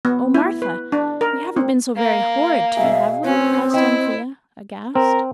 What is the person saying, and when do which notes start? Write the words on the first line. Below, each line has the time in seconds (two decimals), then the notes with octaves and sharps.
'Oh, Martha, we haven't been so very horrid to you, have we?' asked Anthea, aghast.
0.05 B3
0.34 E4
0.62 B4
0.92 D4
1.21 A#4
1.56 C4
1.96 A#3 F5
2.77 B2 G#4 E5
3.24 D2 C4 C#4 B4
3.74 E4 C5 D#5 G5
4.95 C4 A#4